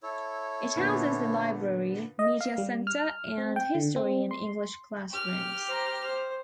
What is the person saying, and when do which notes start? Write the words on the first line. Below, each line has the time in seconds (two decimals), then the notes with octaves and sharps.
It houses the library, media center and history and English classrooms.
0.03 E4 A4 C#5
0.76 A#2 D3 B3
2.19 D#5
2.41 F5
2.58 G3
2.87 F6
3.38 C4
3.56 G5
3.75 D3
3.96 C4
4.31 C6
5.11 G4 F6
5.66 C5 A#5
6.01 C5